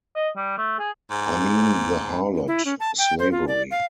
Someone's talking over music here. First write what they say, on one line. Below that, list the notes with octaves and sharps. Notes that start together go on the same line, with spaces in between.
I mean the harlot, Slavery.
D#5
G3
A3
G#4
G#2
E4
C#4
A5
G5
C5
F4
D5
F5